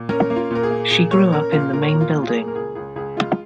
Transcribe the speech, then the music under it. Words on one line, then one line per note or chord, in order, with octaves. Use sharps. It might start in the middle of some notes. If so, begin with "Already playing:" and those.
She grew up in the main building.
Already playing: A#2
C#4 A#4
A#3
F4
A#2 A#4
G#4
A#3
A#2 G#4
A#3 C#5
C#4 A#4
A#2 F4
A#2 A#4
C#5
A#4
A#2
F4
A#2
F4
G#4
A#3
A#4
C#2 G#4
C#2 G#4
C#2 G#4
G#3 F4